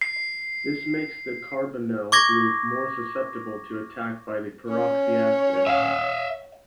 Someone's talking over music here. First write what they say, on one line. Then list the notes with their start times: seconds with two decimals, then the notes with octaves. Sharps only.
This makes the carbonyl group more susceptible to attack by the peroxyacid.
0.01 C7
2.12 C#6 D6 G#6 A#6
4.69 C#4 C#5
5.67 E5 F5